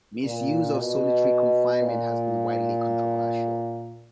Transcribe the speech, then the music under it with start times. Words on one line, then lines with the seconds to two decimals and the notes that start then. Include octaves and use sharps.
Misuse of solitary confinement has been widely controversial.
0.23 A#2
0.75 B2
1.82 A#2